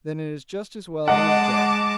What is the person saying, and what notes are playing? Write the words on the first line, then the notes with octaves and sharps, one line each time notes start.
"Then it is just as well he is dead."
G#3 D#5 F#5 A5 D6